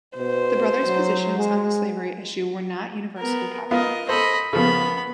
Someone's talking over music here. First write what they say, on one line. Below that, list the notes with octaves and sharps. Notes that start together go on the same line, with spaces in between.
The brothers' positions on the slavery issue were not universally popular.
B2 C5
F#3
G#3
B3 A#4
B3 F4 A#4 D#5
A4 C5 D#5 B5
C#3 F3 A#3 B3 B5